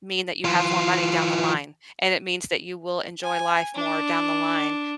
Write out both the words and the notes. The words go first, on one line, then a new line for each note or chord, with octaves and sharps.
mean that you have more money down the line, and it means that you will enjoy life more down the line,
E3 F4
G#5
D4